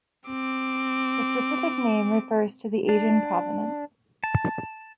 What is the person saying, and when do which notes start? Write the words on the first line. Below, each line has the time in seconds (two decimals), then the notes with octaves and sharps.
The specific name refers to the Asian provenance.
0.27 C4 D6
2.89 D4
4.24 A5